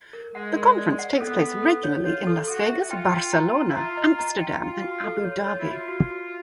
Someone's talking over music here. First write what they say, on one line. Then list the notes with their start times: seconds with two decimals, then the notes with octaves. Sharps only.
The conference takes place regularly in Las Vegas, Barcelona, Amsterdam, Abu Dhabi.
0.13 A#4
0.34 G#3 F#5
0.56 A#4
0.78 D5
0.99 F#5
1.15 C4
1.20 B3 A4
1.42 A4
1.63 A4
1.83 C#5
2.05 F4 C#5
2.27 A4
2.47 F#4 A4
2.69 E5
2.90 F4 G5
3.12 G5
3.33 A#5
3.54 A#5
3.70 E4
3.76 F4 A#5
3.97 D#5
4.19 A#5
4.39 G5
4.60 F4 F#4
4.83 F#4
5.04 A4
5.24 C#5
5.46 F4 C#5
5.59 E4
5.68 F#4
5.73 F4
5.88 F#4
6.10 F#4